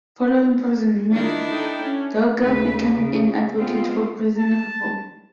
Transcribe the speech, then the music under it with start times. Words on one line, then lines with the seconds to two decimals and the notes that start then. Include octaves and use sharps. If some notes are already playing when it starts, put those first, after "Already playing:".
Following prison, McDougal became an advocate for prison reform.
1.12 D#3 D4 E4 F4
1.50 D#4 A4 G5
1.82 C#4
2.38 D#2 C#3 A3 B4
2.94 C#3
3.55 G#3 B3 C4 F4
4.38 A5